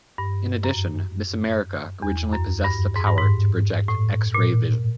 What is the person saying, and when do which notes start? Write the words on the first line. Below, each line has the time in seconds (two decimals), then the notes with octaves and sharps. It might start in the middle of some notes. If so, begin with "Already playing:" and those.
In addition, Miss America originally possessed the power to project "X-Ray Vision".
0.18 G2
0.64 F#2
2.02 E2
2.33 F#2
2.64 G2
2.96 G#2
3.07 G2
3.18 G#2
3.88 A2
4.34 A#2